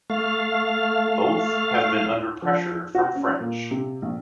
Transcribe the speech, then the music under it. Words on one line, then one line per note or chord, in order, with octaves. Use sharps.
Both have been under pressure from French.
A3 F5
F3
F#4
C#4
A#2
C3
A#1